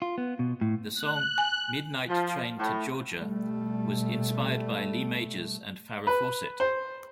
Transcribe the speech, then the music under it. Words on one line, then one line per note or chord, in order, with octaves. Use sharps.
The song "Midnight Train to Georgia" was inspired by Lee Majors and Farrah Fawcett.
F4
B3
B2
A2
F#6
G#5
F3
A2
B2 G3 A3
B4
C5